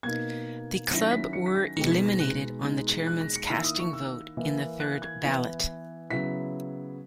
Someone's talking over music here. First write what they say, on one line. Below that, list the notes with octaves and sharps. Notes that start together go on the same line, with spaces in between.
The club were eliminated on the chairman’s casting vote in the third ballot.
B2 A#3 D#4 G#6
D#3 F#3 C#4 E4 A#6
B6
C#7
B6
A#6
B2 G#3 D#4 C#7
B6
A#6
F#6
B2 G#3 D#4
F#6
A#6
C#7
D#3 A#3 E4 E6
D#6
C#6
E6
E3 A#3 E4
F#6
G#6
E3 B3 E4
C#3 F#3 B3 E4 B6